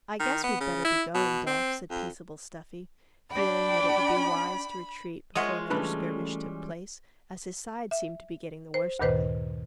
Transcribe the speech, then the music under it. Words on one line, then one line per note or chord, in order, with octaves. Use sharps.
'I guess we'd better be going, Dolf,' said peaceable Stuffy, feeling that it would be wise to retreat before another skirmish took place, as his side seemed to be getting the worst of it.
D#3
B3
C#3
E4
B2
C4
F2
D4 G5 B5
G#3 F4 C#5 D#5 E5 F#5 D#6
C#3 E3 G3 A3 C#4 D4 B4 B5
E5
C5
D2 G2 A#2 D#3 B4 C5